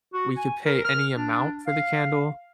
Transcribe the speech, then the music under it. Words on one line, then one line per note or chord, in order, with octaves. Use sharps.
we could pay any amount for the candle,
F#4
G#5
A#4
F6
D4
F5